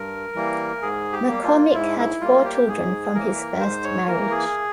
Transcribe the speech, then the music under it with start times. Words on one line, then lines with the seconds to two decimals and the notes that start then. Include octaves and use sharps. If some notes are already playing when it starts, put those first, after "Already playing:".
McCormick had four children from his first marriage.
Already playing: G2 A#4
0.35 E3 G3 A#3
0.82 G#2 G#4
1.12 G4
1.28 G3 A#3
1.43 F4
1.74 G#2 E4
1.99 E4
2.21 G3 A#3 F4
2.45 G4
2.68 G#2 G#4
3.15 E3 A#3 A#4
3.60 G#2 C5
3.84 C#5
4.08 E3 A#3 A#4
4.31 G#4